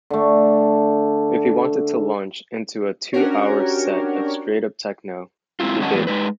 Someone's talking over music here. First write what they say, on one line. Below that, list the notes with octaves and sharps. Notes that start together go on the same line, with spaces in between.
If he wanted to launch into a two-hour set of straight-up techno, he did.
D3 A3
C#4 D4 F#4 G4 A#4 C#5
G#3 C4 E4 F4
D#3 G#3 C#4 D#5 F#5 A5
F#2 A2 E3 G#3 B3
G#3 D#4 B4